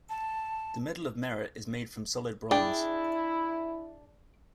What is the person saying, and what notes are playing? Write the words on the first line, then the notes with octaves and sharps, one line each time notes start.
The Medal of Merit is made from solid bronze.
A5
D4 E4 G#4 G5